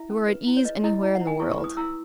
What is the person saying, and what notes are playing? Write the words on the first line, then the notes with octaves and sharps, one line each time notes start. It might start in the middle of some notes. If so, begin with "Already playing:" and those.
You are at ease anywhere in the world.
Already playing: E4 E5
C#4
B4
E4
C#5
B4 D#5
E4 D#5
E4
F#5
E4
G#5
E4 C#6
C#6
B4
D#6
E4 E6